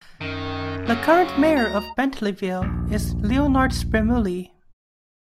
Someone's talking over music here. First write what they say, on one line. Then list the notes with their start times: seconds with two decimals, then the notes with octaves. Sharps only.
The current mayor of Bentleyville is Leonard Spremulli.
0.21 F#2 D#3
0.87 C#3 F#3
1.29 D2
1.57 A#5
2.62 A#1 D#2